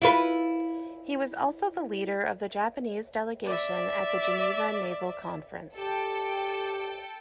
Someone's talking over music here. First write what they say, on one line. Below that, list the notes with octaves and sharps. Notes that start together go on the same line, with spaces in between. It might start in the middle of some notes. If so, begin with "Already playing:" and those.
He was also the leader of the Japanese delegation at the Geneva Naval Conference.
E4 F4 B4
D5 E5
G4 A4 G5